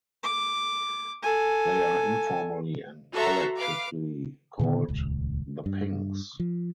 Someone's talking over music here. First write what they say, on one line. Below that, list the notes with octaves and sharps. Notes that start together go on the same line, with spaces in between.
They are informally and collectively called the "Pings".
D6
A4 G#5
F#4 A4 E5 A#5 C6
B4 F5 D6
A#2 D3 D#3 B3
D#1 C#2
G2
F3